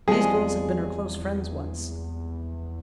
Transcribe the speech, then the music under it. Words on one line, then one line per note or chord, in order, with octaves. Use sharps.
These girls had been her close friends once.
E2 F3 G3 G#3 C4 G#4